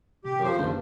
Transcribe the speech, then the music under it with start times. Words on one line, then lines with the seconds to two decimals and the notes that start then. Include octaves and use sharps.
Uh huh.
0.24 C3 G4
0.44 F3 C5
0.59 F#1 G2 D#4